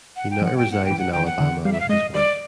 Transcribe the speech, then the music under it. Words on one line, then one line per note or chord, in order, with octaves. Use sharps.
He now resides in Alabama with his wife.
F#5
G5
F3
F#5
G5
F#5
G5
E3
F#5
D#3 G5
F#5
D3
G3 F5
E5
F5
G#3 D#5
G3 D5